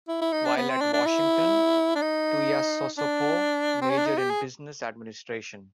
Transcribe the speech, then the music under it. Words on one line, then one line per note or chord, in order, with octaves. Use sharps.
While at Washington, Tuiasosopo majored in business administration.
E4
E4
D#4
D4
B3
C4
D4
D4
E4
D4
D#4
D4
C4
C#4
D4
D#4
G4
G#4